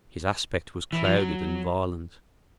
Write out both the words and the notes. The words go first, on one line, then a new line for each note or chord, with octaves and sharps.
His aspect was clouded and violent.
E3
F3
F#3